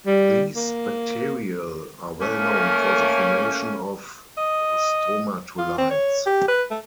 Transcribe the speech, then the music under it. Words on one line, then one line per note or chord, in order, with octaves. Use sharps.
These bacterial are well known for the formation of stromatolites.
G3
A#3
A3 A#3 C#4
D#5
F4
C4
C#5
G4
B4
A3